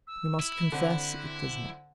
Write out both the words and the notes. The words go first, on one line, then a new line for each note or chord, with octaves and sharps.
We must confess it does not.
E6
E4
D3 C4 F#6